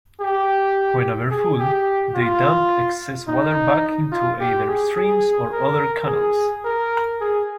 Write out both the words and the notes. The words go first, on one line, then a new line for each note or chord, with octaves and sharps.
When over full, they dump excess water back into either streams or other canals.
G4
G#4
G4
F4
D#4
F4
G4
G#4
G#4
A#4
G#4
A#4
G#4